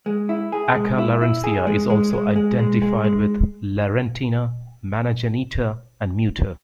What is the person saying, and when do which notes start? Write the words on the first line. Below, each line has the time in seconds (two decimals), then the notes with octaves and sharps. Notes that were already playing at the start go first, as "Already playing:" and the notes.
Acca Larentia is also identified with Larentina, Mana Genita, and Muta.
0.06 G#3
0.29 E4
0.52 G#4
0.75 G#3
0.98 E4
1.21 E4
1.44 G#4
1.67 G#3
1.90 G#3
2.13 G#3
2.36 G#3
2.59 G#3
2.82 G#3
3.04 G#3